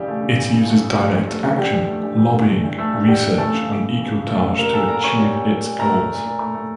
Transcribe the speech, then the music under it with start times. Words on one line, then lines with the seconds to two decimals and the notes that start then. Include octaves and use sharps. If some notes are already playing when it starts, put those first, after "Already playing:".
It uses direct action, lobbying, research, and ecotage to achieve its goals.
Already playing: C#3 E3 G3 G4
0.08 A3
0.23 C#3
0.38 E3
0.53 C#3
0.67 A3
0.83 C#3
0.97 F3
1.12 G2
1.28 A3
1.43 G2
1.58 F3 G3 G4
1.73 G2
1.88 A3
2.03 G2
2.18 E3
2.34 G2
2.48 A3
2.64 G2
2.78 E3 A3 A4
2.94 G2
3.08 G3 A3 G4
3.24 G2
3.38 E3 A3 A4
3.54 C#3
3.68 A3
3.84 C#3
3.99 E3
4.14 C#3
4.28 A3
4.44 C#3
4.59 G3 A#3 A#4
4.74 A#2 A4 A5
4.88 A#3 A#4 A#5
5.04 A#2 C#5 C#6
5.18 G3
5.34 A#2
5.50 A#3
5.64 A#2
5.79 A3 A#4 A#5
5.94 A3
6.09 A#2
6.24 A#2
6.40 A3
6.54 A3